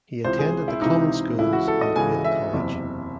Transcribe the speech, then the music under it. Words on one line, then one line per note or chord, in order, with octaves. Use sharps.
He attended the common schools and Yale College.
C#2 C3 E3 C5
G#4
E4
C#2 C3 E3 D#4
C#2 C#3 E3 E4
F#4
A4
D#5
C#2 C#3 E3 G#5
E5
F#1 E2 C3